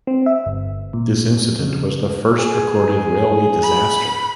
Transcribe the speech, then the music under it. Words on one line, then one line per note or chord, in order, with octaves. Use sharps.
This incident was the first recorded railway disaster.
C4
E5
G1
A#2
C#3
G#4
B5